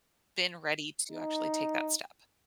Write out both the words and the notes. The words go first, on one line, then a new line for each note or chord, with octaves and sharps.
been ready to actually take that step.
D#4